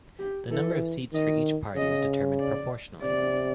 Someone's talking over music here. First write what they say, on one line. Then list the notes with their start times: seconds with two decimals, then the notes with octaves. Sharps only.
The number of seats for each party is determined proportionally.
0.19 G4
0.51 E3 A4
1.13 D#3 D#5
1.76 C#3 D#5
2.39 D5
3.02 C3 D5